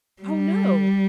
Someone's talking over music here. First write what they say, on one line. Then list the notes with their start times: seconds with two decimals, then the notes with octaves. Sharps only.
"Oh no!"
0.22 G3